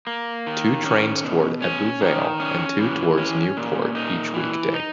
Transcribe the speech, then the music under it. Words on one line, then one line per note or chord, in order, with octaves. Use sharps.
Two trains towards Ebbw Vale and two towards Newport each weekday.
A#3
D#3
C#4
B2
C#4
D#3
C#4
E3
C#4
A#2
D#4
E3
D#4